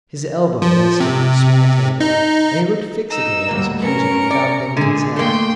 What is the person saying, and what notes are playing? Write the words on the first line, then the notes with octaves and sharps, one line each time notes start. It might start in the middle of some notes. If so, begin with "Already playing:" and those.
His elbow rested on a small table, and he looked fixedly at his accuser without bending his head.
F3
C3
D#4
D#4 E6
D2 F#3 G3 A#3
B3 C#4 A#4 C#7
D5
A#2 D3 G#3 G#4
A3 A#3 G5 C6